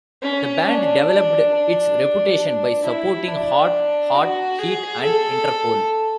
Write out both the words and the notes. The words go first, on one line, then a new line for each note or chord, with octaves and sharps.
The band developed its reputation by supporting Hot Hot Heat and Interpol.
C#4
D4
D4
D4
D4
E4
D4
F#4
G#4
A4